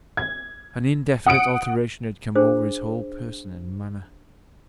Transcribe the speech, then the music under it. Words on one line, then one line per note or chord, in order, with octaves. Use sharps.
An indefinite alteration had come over his whole person and manner.
G#6
F#5 D#6 C#7 D7
D4 G#4 C5